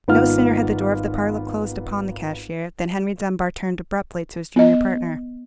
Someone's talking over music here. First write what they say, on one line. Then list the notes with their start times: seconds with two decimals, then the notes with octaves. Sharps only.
No sooner had the door of the parlour closed upon the cashier than Henry Dunbar turned abruptly to his junior partner.
0.08 G#1 B3 D#4 F4 F6
4.56 B3 D#5